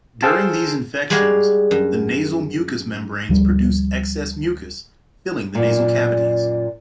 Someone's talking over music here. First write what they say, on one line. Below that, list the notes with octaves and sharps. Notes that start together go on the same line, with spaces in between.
During these infections, the nasal mucous membranes produce excess mucus, filling the nasal cavities.
G#4 A4 C5 F5 G5 A5
G3 G#3 F#4 D5 F5
F#2
D2 C#3 F3 G3
F#2 A#2 D5